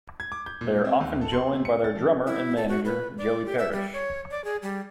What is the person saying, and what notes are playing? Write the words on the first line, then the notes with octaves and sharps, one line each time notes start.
They are often joined by their drummer and manager, Joey Parish.
G#6
D6
G6
A#2
C4
D#2
A4
C6
C3
C#7
A6
F3
E4
A4
F#4
B4
D5
G4
E5
G3
C#5
D5
G#4
G3